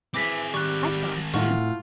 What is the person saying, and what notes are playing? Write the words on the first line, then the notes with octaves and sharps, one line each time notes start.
"I saw it done."
E3 C4 G#4 D6 A#6 B6
D#3 G3 C4 C#6 F#6
A2 F4 F#5 C#6